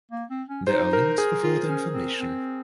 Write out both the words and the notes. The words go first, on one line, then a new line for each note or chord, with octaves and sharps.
There are links for further information.
A#3
C4
C#4
D#4 C5
A#4
G#4
F4
C#4
C4
C4